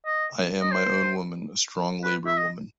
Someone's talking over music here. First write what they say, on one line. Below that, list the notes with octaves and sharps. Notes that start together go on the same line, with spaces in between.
I am my own woman, a strong Labour woman.
D#5
D#5
C5
B4
E5
D#5